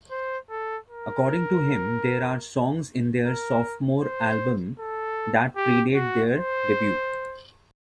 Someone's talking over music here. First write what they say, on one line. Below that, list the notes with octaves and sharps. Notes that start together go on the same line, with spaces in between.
According to him there are songs in their sophomore album that pre-date their debut.
C5
A4
A#4
A#4
C5
A4
G4
F#4
C5